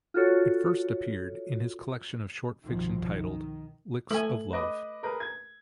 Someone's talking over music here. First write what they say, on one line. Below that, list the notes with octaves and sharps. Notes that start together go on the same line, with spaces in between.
It first appeared in his collection of short fiction titled "Licks of Love".
F4 F#4 A4 C#5
C2 G2 B2 D#3 F3
D#3
A3 G#5 F#7
B4 D#5 D6
G#4 A#4 B4
G#6